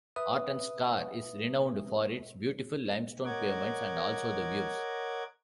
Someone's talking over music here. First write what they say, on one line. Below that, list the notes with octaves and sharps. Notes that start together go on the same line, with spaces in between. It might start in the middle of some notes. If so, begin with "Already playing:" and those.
Orton Scar is renowned for its beautiful limestone pavements and also the views.
B4 E5 D#6
A#4 C#5 D#5 F#5 D6 G#6